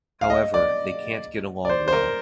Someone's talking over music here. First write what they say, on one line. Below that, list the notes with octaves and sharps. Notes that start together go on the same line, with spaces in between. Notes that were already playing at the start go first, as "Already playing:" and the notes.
However, they can't get along well.
F5
D#5
D5
D5
C5
C5
A#4